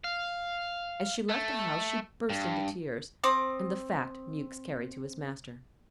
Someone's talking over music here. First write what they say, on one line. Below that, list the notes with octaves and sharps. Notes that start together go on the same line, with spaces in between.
As she left the house she burst into tears; and the fact Mewks carried to his master.
F5
A3
G2
C4 D6 D#6